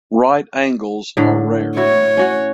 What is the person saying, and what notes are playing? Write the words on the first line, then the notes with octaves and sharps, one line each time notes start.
Right angles are rare.
A2 D3
E4 F#4 C#5
C#4 F#4 F#5